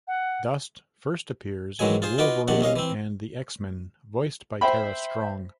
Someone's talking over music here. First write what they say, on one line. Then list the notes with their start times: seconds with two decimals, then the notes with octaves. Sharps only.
Dust first appears in the "Wolverine and the X-Men", voiced by Tara Strong.
0.08 F#5
1.79 G#2 D#3 E3 F#3 G#3 G#5
2.02 F4 G#4 C5
2.18 D#4 F4 F#4 B4 D6
2.48 A#1 C3 D#3 D4 F#5
2.61 C2 C#4 D#5 F5
2.76 E3 C4
4.61 C5 E5 G5 B5